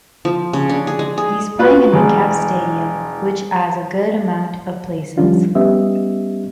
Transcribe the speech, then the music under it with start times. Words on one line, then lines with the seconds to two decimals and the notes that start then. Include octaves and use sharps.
He’s playing in the Kef stadium which as a good amount of places.
0.25 F3
0.53 C#3
0.69 D4
0.87 G#4
0.99 G#3
1.18 G#4
1.59 F4 F#4 B4
1.93 E1 G#3
5.18 F3 G3 C#4 D4 F4
5.55 G3 B3 C#4 G4 D#5 E5